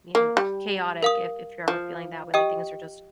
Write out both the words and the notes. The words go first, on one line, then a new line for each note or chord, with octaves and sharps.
you know, chaotic if if you're ever feeling that way, like things are just,
A#3
G3
A#4 F5 D#6
F3
G4 D#5 G5 D#6